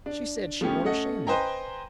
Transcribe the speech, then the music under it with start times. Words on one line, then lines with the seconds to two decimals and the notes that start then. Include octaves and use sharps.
She said she warn't ashamed of me.
0.06 D4
0.61 F3 A3 B3 C#4 G4
0.84 A3 C#4 A4 D#5 F#5
1.27 B4 C5 D#5 G5 G#5 A#5